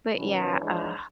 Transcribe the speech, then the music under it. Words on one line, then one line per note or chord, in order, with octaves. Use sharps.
But yeah, uh
B2 D#3 F#3 C#4 B4
G#2 E3 G#3 D4 C#5